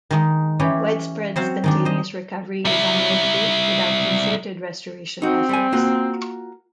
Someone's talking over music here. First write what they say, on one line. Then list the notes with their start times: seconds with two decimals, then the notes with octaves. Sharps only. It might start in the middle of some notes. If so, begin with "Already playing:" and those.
Widespread spontaneous recovery is unlikely without concerted restoration efforts.
0.11 D#3 G#3 D#4
0.59 E3 C#4 G4 B5
1.36 F#3 C4 C5 C#5 F5
1.64 D#3 G#3 D4
1.85 C5 D#5
2.65 G3 E4
5.22 C4 D#4 F#4
5.49 G3 G#5
5.73 A#3 F4 F#4